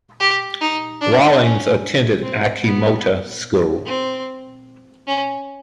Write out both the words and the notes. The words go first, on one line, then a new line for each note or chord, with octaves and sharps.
Rawlings attended Achimota School.
G4
D#4
D4
C#4
C4
B3
C4
C#4